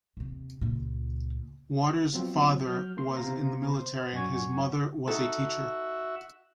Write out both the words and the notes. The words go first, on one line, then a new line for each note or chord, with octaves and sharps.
Water's father was in the military and his mother was a teacher.
D#2 C3
C#2 A#2
F3 F#3 B3 C4 F4
F#3 F6 G6
A#3 C6
C3 B3 C5 F5 A#5
C5
F#2 D5 F#5 G#5 C#6 G#6
D#4 F#4 A4 E5